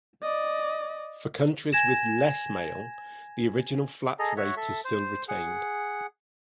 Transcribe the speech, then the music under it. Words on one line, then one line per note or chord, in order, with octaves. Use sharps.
For countries with less mail, the original flat rate is still retained.
D5 D#5
G#5 G#6 A#6 E7
G#4 A4 D#5 A#5
F#4 C#5 E5
A4 E5
C5
G#4 F#5